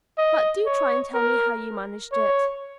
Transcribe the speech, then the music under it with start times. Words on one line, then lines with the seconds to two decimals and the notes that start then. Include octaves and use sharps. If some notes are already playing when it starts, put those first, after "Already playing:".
"But do try and tell me how you managed it."
0.18 D#5
0.66 C#5
1.14 A#4
2.12 C#5